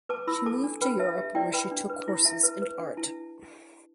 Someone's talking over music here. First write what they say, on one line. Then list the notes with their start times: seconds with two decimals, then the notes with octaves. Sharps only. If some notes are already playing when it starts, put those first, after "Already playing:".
She moved to Europe where she took courses in art.
0.09 B4 A5 D6
0.27 E4 B5 E6
0.46 A4 A5 D6
0.63 D4
0.82 B4 G5 B5
0.99 B4 E5 A5
1.17 G4 E5
1.35 E4 D5 G5
1.53 B4 G5 B5
1.71 D4
1.90 B4
2.03 E4 D6
2.15 B5
2.25 E4 E5 A5
2.43 B4
2.62 B4
2.79 D4
2.97 E4 A5